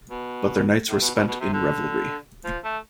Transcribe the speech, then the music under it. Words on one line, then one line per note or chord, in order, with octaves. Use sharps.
But their nights were spent in revelry.
B2
A2
B2
B2
B2
C3
D3
F3
A3